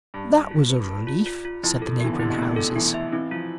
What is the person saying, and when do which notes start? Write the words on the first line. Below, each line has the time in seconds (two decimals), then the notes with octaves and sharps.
"That was a relief," said the neighboring houses.
0.14 G2 A5
0.33 A5
0.51 F4
0.70 B4
0.88 A5
1.07 F4
1.26 F4
1.45 F4
1.63 F2 E4
1.82 A4
2.00 E3 B3
2.13 D3
2.19 C3 E4
2.30 B2
2.38 A2 B3
2.56 A4
2.76 E3 B3
2.94 E5
3.12 E3 C4
3.31 F3 F4